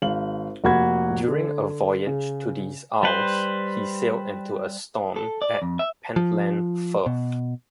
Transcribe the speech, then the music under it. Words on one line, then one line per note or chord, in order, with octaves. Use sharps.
During a voyage to these isles, he sailed into a storm at Pentland Firth.
G#1 F5 F#7
F1 A#3 F#4 F#5 B5 G#6
D3
C#3
G3 B4 C5
A4
D5
F2
E5
F3
B2